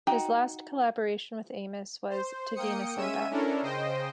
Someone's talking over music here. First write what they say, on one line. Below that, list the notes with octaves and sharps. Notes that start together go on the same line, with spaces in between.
His last collaboration with Amos was "To Venus and Back".
D#4 F#4 G5
C5
A#3 G5 D#6 C#7
G#3 C#4 E5 E6 D#7
C#4 D4 E4 A4 A#4
C#3 C5 D#5 G5